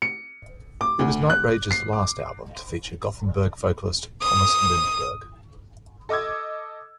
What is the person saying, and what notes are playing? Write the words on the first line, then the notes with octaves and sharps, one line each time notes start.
It was Nightrage's last album to feature Gothenburg vocalist Tomas Lindberg.
C#7
D6
D2
F#6
C7
D6
D#6
A4 D#5 D6 E6 G#6